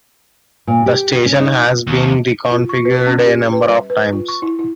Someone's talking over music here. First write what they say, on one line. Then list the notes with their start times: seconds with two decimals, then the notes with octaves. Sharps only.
The station has been reconfigured a number of times.
0.67 A#2
0.86 G4
1.26 C#4
1.40 D#4
1.87 D#2
2.51 F4
2.69 C#6
2.85 B4
3.06 C#4
3.25 G4
3.53 B4
3.69 G3
3.90 B4
4.13 F4
4.28 C#6
4.42 E4
4.59 E4